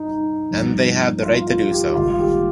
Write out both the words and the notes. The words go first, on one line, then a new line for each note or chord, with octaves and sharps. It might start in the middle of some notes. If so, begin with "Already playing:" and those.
And they have the right to do so.
Already playing: G2 G3 D#4
G2 F3 A#3
F4
F4
G4
G#1 G#2 G3 A#3 F4
G4